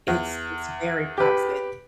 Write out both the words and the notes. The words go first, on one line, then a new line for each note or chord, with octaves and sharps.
it's it's very toxic.
E2
G4 B4